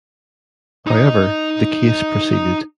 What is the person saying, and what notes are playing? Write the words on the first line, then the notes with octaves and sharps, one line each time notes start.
However, the case proceeded.
D#4 D#5